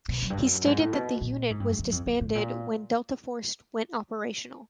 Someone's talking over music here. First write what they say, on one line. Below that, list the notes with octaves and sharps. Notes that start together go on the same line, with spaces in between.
He stated that the unit was disbanded when Delta Force went operational.
B2
F#2
G2
F#2
G#2
A2
B2
A#2
G#2
G2
F#2
F#2
F2
F2
A2
A#2